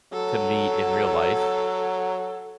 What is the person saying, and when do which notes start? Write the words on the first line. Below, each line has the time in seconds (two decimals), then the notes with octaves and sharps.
to meet in real life.
0.13 F#3 A4